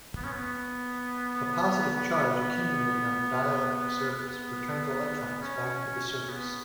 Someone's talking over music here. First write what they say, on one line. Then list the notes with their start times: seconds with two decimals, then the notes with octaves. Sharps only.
The positive charge accumulated on the dielectric surface returns electrons back to the surface.
0.17 B3
0.24 C#4
0.32 B3
2.14 B3
4.10 B3
5.42 C#4
5.74 C#4
6.08 C#4
6.29 B3